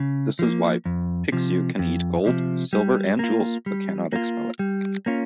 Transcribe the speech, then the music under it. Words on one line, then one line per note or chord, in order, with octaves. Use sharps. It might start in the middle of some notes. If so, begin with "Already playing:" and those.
This is why Pixiu can eat gold, silver and jewels but cannot expel it.
Already playing: C#3
F3 A#3
F2
C3 F3
F2
C3 F3
G3
A#3 F4
G3
A#3 F4
G3
A#3 C#4 F4